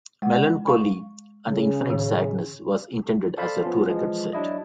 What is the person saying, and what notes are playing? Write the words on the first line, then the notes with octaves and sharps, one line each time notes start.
"Mellon Collie and the Infinite Sadness" was intended as a two-record set.
G#3 F#5
F5 C#6
C#3
A2 D#3
A4 C5 D5 F5 A5 B5
F3 B3 C#4 F4
E3 F3 G#3
F#3 D4 E4 D#5